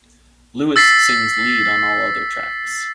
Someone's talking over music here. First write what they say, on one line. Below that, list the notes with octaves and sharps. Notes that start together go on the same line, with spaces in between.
Lewis sings lead on all other tracks.
E6 A6 B6 C7